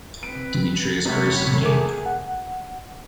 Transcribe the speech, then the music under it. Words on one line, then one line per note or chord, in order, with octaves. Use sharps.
Dmitrius curses me!
C4 B4 D7
G#1 C3 C#5 B5
A3 G#4 A#4 D6
F#5